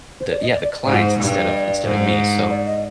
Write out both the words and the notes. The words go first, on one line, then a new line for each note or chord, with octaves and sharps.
the yeah, the clients instead of instead of me, so
C5
D5
D#5
D5
G#2 C5
G2
D#5
D5
D5
G#2 C5
D5
D#5